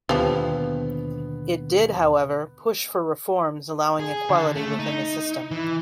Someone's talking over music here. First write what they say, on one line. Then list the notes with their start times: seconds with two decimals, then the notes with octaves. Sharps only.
It did, however, push for reforms allowing equality within the system.
0.09 D#2 B2 D3 F3 G3 B3
4.00 G#4
4.30 D3
4.56 A3
4.79 D#4
5.51 E3